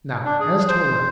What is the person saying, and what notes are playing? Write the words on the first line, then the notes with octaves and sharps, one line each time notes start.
Now, as to a letter.
D4
G#4
C5